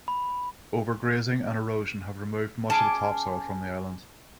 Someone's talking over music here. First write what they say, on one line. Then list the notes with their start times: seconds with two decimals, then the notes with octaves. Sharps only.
Overgrazing and erosion have removed much of the topsoil from the island.
0.08 B5
2.70 C#4 G#4 A5 D6